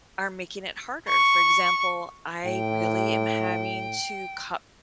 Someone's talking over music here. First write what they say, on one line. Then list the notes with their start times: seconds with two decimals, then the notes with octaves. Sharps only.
are making it harder. For example, I really am having to cut
1.08 C#6
2.46 A2 G5